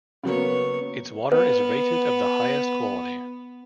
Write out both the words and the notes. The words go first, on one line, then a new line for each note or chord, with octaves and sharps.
Its water is rated of the highest quality.
C#3 F#3 A#3 B3 C#5
B3 B4